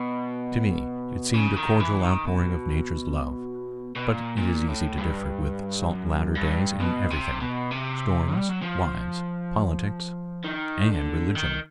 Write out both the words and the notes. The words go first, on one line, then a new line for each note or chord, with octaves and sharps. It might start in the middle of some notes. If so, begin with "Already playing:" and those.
To me it seemed a cordial outpouring of Nature's love; but it is easy to differ with salt Latter-Days in everything--storms, wives, politics, and religion.
Already playing: B2
C#3
D#3
E3
D#3
B2
B2
A#2
A#2
A2
G2
F#2
G2
B2
C3
B2
C3
G3
F#3
F3
D#3
D3
D#3